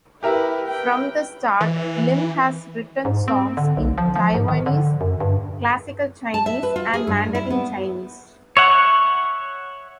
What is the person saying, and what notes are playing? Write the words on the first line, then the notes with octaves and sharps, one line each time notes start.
From the start, Lim has written songs in Taiwanese, Classical Chinese, and Mandarin Chinese.
E4 G4 A#4 B4 E5
B4 G5
E3
G#2
C4
D3
B1
F3
F3
G#2
D#3
D3
F#2
G2
A5
E5
B4
F4
G#4
G2
E4
B3
C#5 E5 F#5 C#6